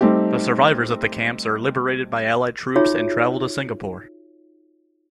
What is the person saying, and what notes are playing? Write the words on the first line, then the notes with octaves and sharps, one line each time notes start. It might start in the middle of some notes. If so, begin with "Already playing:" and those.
The survivors of the camps are liberated by Allied troops and travel to Singapore.
G3 A3 C4 D#4 G4
D#4 F4 F#4 G#4 C#5 E5